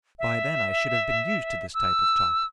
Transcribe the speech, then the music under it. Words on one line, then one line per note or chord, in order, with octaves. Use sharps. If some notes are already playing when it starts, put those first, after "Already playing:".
By then I should have been used to this type of talk!
E5
E6